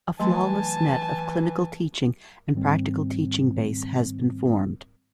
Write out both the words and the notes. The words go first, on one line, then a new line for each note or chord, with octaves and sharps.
A flawless net of clinical teaching and practical teaching base has been formed.
E3 F#3 A3 G#5 A5 C6
G#2 D#3 G3 C4